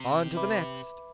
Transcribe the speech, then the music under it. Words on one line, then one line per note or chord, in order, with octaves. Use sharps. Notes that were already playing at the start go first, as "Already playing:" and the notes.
"On to the next!"
Already playing: C3
B4 E5 B5 D6